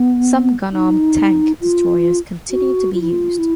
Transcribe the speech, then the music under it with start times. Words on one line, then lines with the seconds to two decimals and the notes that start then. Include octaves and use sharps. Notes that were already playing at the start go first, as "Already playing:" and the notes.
Some gun-armed tank destroyers continue to be used.
Already playing: B3
0.72 D#4
1.61 F4
2.50 F#4
2.94 F4
3.02 E4
3.09 F4
3.39 E4